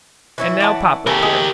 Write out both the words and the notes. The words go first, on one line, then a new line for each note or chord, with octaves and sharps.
And now Papa appeared.
E3 C#4 E4
D5 F#5 A5
C#3 A3 C#4 G4 A#4 A5
G#3 G#4